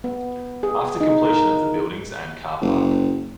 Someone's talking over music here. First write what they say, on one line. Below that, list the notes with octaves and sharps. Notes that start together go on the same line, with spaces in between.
After completion of the buildings and car park.
B3
G#4
D#4
A#4
F#1